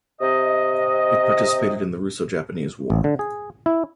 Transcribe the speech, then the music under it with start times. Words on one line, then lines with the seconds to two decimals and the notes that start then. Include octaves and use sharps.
It participated in the Russo-Japanese War.
0.20 C3 D#5
2.90 A1
3.04 D3
3.19 G#4
3.66 E4